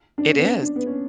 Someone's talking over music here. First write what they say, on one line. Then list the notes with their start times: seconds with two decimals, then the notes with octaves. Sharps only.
It is.
0.18 D4
0.27 C#4
0.37 B3
0.46 C#4
0.61 D4
0.76 B3
0.86 C#4